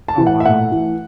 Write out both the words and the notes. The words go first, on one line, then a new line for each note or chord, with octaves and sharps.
Oh, wow.
A5
E3
F#5
E5
A2 F#5
E3